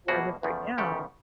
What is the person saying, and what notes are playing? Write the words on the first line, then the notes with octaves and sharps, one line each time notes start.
Where I live right now,
E2 B2 G3 A#3 F#4 G#4
E2 C#3 F3 A3
E2 C#3 F3 A3 G4 A4